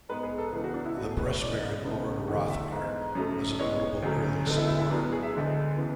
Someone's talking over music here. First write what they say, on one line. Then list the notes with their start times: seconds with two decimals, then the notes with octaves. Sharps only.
The press baron Lord Rothermere was a notable early supporter.
0.09 G#2 G#3 B3 B4
0.23 G#4
0.38 A4
0.53 C#2 C#3 E3 B3 G#4
0.64 F#4
0.74 D4
0.86 E4
0.97 B2 F#4
1.01 A3
1.11 G#4
1.19 B4
1.26 C#5
1.40 F#2 C#3 E3 G#3 B3 D5
1.84 C#2 C#3 G#3 B3
2.27 E2 D3 A3 F#5
2.50 E5
2.71 G#2 G#3 B3
3.15 F#2 C#3 F#3 A3
3.59 A2 G#3 B3 C#5
4.02 D2 C#3 F#3 A3
4.46 D2 D3 G#3 B3
4.57 E4
4.68 E4
4.79 E4
4.89 A2 F#3 B3 D4
5.12 G#4
5.23 E5
5.34 D2 D3 G#3 B3
5.77 C#3 E3 B3